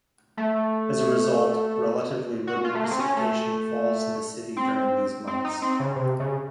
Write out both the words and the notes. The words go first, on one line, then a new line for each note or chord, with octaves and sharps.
As a result, relatively little precipitation falls in the city during these months.
A3
F#4
F4
A3
A#3
C4
C#4
A3
C4
C4
D#4
C4
C#3
C3
C#3